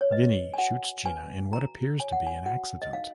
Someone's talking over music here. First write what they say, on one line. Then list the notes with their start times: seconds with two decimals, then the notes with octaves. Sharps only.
Vinnie shoots Gina in what appears to be an accident.
0.01 C#5
0.11 B4 D#5
0.54 G#5
0.58 F#4 F#5
1.06 B4 G#5
1.52 F#4 A#5
2.00 C#5 G#5
2.12 F#5
2.27 G#5
2.46 F#4 F#5
2.82 D#5
2.93 D#4 F5